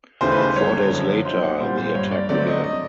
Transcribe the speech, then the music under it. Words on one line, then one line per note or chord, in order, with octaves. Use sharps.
Four days later, the attack began.
D#2 C#3 E3 A3 C5
B4
C5
G1 C#5
F#2 D3 F3
B1 C5
F#5
A#2 G3 C5
C5
G2 C#5
D5
D3 F#3 A3 C4 D5
D#5
D#5